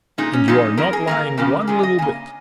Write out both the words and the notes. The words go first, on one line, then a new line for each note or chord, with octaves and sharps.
And you are not lying one little bit.
A#2 G#3 D#4
C#4
A#2 F3 G#3 D#4
F2 F3 A#3 A#4
G#4
G#2 D#3 A#3 A#4
F2 C#3 F3 A#3
G#2 F3 G#3 G#4
D#5
C#3 A#3 G#5